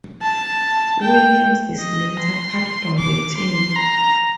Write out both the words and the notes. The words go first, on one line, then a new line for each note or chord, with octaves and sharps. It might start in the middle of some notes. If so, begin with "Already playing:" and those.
Williams is later cut from the team.
A5
G5
D#5
C6
D6
C6
A#5